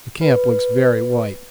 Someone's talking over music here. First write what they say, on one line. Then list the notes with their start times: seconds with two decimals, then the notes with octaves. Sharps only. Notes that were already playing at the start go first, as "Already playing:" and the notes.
The camp looks very white.
0.21 B4